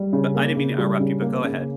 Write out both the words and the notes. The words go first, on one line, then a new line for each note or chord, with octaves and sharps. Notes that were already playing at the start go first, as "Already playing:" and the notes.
but I didn't mean to interrupt you but go ahead.
Already playing: G3
C#3
A#3
C#3
G3
C#3
A#3
C#3